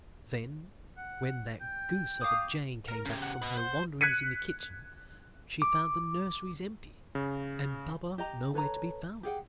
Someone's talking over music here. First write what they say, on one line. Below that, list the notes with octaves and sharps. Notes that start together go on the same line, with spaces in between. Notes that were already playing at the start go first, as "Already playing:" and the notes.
Then, when that goose of a Jane came back from her wanderings in the kitchen, she found the nurseries empty, and Baba nowhere to be found.
F#5
G5
F5 D6 D#6
A#4
C#3 G4
F#5
B4 D#5
C5
F#6 G#6 B6 C#7 D#7
D6
C#3
G4 D#5 A#5
A4 B4 C#5 A#5
G4 G#4 F#5 G5